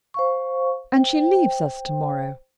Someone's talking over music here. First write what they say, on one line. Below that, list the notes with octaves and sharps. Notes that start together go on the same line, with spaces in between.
And she leaves us to-morrow.
C5 F5 C#6
C5 G5